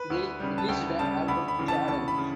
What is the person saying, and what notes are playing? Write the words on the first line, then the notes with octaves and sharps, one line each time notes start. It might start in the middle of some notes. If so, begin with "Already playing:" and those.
They released the album Challenge!
Already playing: B4
D2
C#3 G3
A5
D2 G5
C#3 G3 A5
D2 B5
B5
C#3 E3
A5
D2 A5
B5
C#3